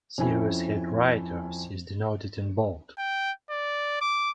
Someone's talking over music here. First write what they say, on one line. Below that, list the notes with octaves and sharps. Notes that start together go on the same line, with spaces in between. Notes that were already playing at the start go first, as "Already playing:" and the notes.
Series head writer is denoted in bold.
F2 C#4 E4 G#5
G5
D5
D6